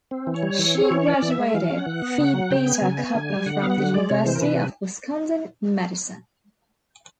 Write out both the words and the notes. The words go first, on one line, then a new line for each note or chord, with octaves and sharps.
She graduated Phi Beta Kappa from the University of Wisconsin-Madison.
C4
E3
C#5
G3
E3
C4
E3
C#4 D5
E3
E5
G#3
E3 F5
C#4
F#5
E3
B3
C#3
F#3
C#3 G5
B3
G#5
C#3
B3
D3
G3
D3 F#5
B3 F5
F#5
D3
G#3 D5
C3 C#5
E3 C5
A#4
C3 B4